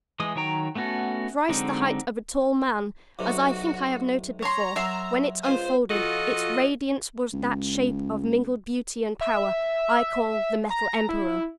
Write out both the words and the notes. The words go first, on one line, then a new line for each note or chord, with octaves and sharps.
Thrice the height of a tall man--as I think I have noted before--when it unfolded its radiance was that shape of mingled beauty and power I call the Metal Emperor.
E3 G#3 D#6
D#3 F#3 C#5 G5 A#5
A3 B3 C#4 F#4 A4
D3 F#3 G#3 C4 D#4
B1 C3 F#4
C#5 A#5 C6
F#3 A#4 E5 C6
C#2 F4 C5 D#6
F3 F4 F#4 A4 D#5
C#2
E5
A#5
E4